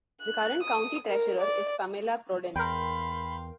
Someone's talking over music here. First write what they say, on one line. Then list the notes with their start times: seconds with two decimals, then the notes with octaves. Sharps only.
The current county treasurer is Pamela Prodan.
0.21 F#6
0.64 D#6
1.08 A#4
1.41 D5
2.56 E2 A#4 F5 G5 B5 C6